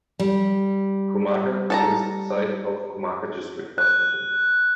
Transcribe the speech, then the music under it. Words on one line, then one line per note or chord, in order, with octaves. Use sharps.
Kumaka is site of Kumaka District Hospital.
G3
A4 A5 A#5
F#6